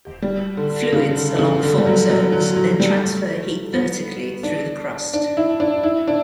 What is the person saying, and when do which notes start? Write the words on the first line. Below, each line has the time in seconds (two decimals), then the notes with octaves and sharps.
Fluids along fault zones then transfer heat vertically through the crust.
0.22 G3
0.57 D3
0.93 C#3
1.16 D3
1.39 C#3
1.63 D3
1.78 G3
1.86 F#3
2.10 F#3
2.32 F#3
2.56 F#3
2.80 G3
3.03 A3
3.73 B3
4.43 D4
5.14 D4
5.37 E4
5.60 D4
5.83 E4
6.08 D4